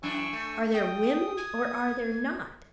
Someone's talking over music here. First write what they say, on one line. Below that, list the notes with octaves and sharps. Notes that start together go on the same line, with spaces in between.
Are there women or are there not?
F#2 E3 D4 G#5 C#6 E6
A3
G5 D#6
G#6